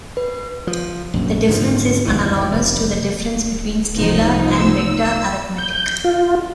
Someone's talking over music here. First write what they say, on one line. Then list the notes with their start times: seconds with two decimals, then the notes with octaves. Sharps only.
The difference is analogous to the difference between scalar and vector arithmetic.
0.17 B4
0.67 F3
1.14 A#1 F#2
1.48 G#2 D3 D#3 F3
2.05 F1 B1 D#3 E3
2.51 F1
3.94 C2 F3 B3 D#4
4.52 E6
5.58 G6
6.04 F4